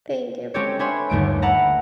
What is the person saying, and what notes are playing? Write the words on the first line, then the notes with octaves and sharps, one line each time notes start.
Thank you, b
G#3 C4 C#4 G4 A4 C#5
D4 B4 C#5 E5 G#5 C6
G1 D#2 A3 D7
B4 E5 F#5 A5 A#5